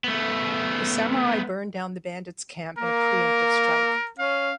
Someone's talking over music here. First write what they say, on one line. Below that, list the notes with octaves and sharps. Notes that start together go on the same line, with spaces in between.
The samurai burn down the bandits' camp in a pre-emptive strike.
A3 B3
A#3 A#4
C#4 F5